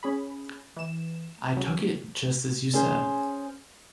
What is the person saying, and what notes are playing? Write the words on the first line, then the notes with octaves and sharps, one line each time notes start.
I took it just as you said.
C#4 G#4 B5
E3 E7
C#3 F#3
C#4 G#4 C5